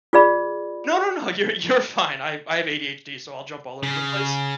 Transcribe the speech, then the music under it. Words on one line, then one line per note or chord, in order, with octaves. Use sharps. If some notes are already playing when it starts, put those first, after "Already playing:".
No, no, no, you're, you're fine, I I have ADHD, so I'll jump all over the place.
F4 G#4 D5 B5
C#3